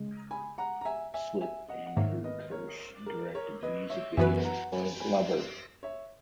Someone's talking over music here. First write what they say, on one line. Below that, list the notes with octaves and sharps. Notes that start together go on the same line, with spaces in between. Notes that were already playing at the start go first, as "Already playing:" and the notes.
Swift and Drew Kirsch directed the music video for "Lover".
Already playing: C#3 G#3
G#5 B5
F#5 A#5
A#5
E5 G#5
E5 G#5
E5 G#5
D#5 F#5
F#5
G#2 D#3 A#3 C#5 E5
B4 D#5
A#4 C#5
A#4
A#4 C#5
B4 D#5
C#5 E5
F#2 E3 B3 F#4 B4 E5 G#5
F#5 A#5
G#5 B5
G#5 B5
C#5 E5